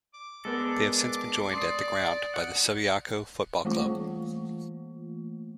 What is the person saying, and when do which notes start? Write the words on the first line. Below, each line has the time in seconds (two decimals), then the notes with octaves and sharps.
They have since been joined at the ground by the Subiaco Football Club.
0.14 D6
0.45 G#3 B3 D4 A4 A#4
1.53 D5 C6 D#6 C7
2.34 F#5
3.65 E3 A3 A#3 F4